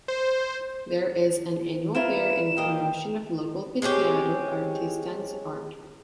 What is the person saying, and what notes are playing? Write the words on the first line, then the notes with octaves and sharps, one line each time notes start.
There is an annual fair in promotion of local piteado artisan's art.
C5
E4 F4 A#4 B4 E7
A#2 A#4 D#5 F5 G5
G#3 C4 C#4 G4